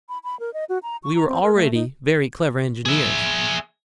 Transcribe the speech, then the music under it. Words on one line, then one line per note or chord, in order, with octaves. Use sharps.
We were already very clever engineers.
B5
B5
A#4
D#5
F#4
A#5
C#6
A#5
C4
A#4
A3
D#4
G#4 E5